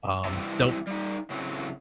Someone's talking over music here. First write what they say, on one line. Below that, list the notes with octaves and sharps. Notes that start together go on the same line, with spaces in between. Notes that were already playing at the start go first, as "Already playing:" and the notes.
um, don't
C3 E3 G3 C4 E4 A5
G3 D#4
A2 C#3 F#3 A3 C4